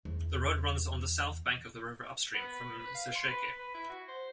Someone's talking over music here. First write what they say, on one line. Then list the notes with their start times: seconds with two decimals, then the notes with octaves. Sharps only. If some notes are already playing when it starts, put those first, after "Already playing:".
The road runs on the south bank of the river upstream from Sesheke.
0.05 E2
2.34 B3
2.47 B4
2.79 B4
2.94 F5
3.15 C6
3.28 B4
3.58 B4
3.74 E4
3.89 F#4
4.08 C5